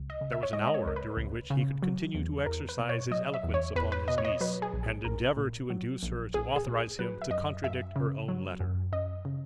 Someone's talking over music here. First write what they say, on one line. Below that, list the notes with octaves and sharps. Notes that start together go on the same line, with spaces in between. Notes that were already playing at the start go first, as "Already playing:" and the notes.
There was an hour during which he could continue to exercise his eloquence upon his niece, and endeavour to induce her to authorise him to contradict her own letter.
Already playing: C#2
D#5
C#3
E5
C#5
G#3 D#5
D#5
C#5
C#2 A#4
B4
C#2
C#3
F#3
E2
E2 A#4
B4
B2
C#5
F#3 D#5
E5
E2
C#5
E2 B4
B4
B2 D#5
C#5
D#5
F#3 B4
G#4
A#1
G#4
A#1 A#4
A#2
F#3
A#1
A#1 G#4
G#4
A#2
G#4
F#3 B4
E5
F#2 D#5
F#2 E5
C#3
F#3
F#2
F#2 D#5
C#3